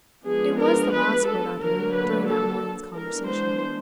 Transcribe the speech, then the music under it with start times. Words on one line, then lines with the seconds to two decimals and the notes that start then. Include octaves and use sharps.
It was the last word uttered during that morning's conversation.
0.24 F3 G#3 B3 D4 G#4
0.59 A#4
0.92 B4
1.26 A4
1.59 D3 F#3 A#3 A#4
1.93 B4
2.27 A4
2.94 E3 G#3 B3 D4 A#4
3.28 C5